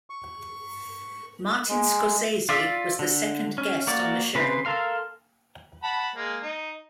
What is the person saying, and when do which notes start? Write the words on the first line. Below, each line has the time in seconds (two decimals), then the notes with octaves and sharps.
Martin Scorsese was the second guest on the show.
0.10 C#6
1.69 G#3
2.49 F4 D5 E5
2.99 D3
3.58 C#4
3.87 A#3 F#4 D5
4.35 C#3 C4 B4 C5 C6
4.65 A4 A#4 F5 C6
5.83 F#5 A5 B5
6.16 G#3 A#3
6.43 D#4